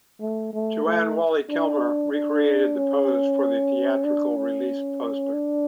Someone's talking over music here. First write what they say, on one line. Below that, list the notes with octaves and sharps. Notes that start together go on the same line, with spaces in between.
Joanne Whalley-Kilmer recreated the pose for the theatrical release poster.
A3
A3
A3
D4
D4
C#4
D4
C#4
D4